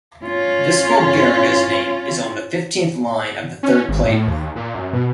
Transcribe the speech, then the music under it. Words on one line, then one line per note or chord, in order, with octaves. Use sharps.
Viscal Garriga's name is on the fifteenth line of the third plate.
C#4 F4
C#4
G#1
A2
D#2
A#2
F#2
B2